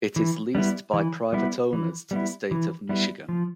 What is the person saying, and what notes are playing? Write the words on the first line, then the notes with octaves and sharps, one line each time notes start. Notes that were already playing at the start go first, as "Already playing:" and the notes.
It is leased by private owners to the state of Michigan.
E3
G3 B3 E4
E3
G3 B3 E4
E3
G3 B3 E4
E3
G3 B3 E4
F3